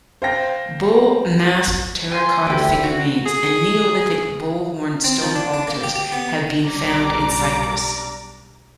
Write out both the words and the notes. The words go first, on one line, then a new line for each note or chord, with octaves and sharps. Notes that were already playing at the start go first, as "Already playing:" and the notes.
Bull-masked terracotta figurines and Neolithic bull-horned stone altars have been found in Cyprus.
C5 F5 G5 A#6
G#5 C6
D2 E4 G4
F#4
G#4
C4
F3
D4
D4
A#3
G4
G4
B3
B1 G3 D4 D5 A#5 D6